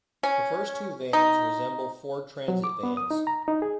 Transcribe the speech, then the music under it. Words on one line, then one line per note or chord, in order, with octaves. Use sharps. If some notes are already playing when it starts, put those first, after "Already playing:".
The first two vans resemble Ford Transit Vans.
C#4
D#4
F#3
D6
B3
D#6
D#4
A#5
D#4
G#4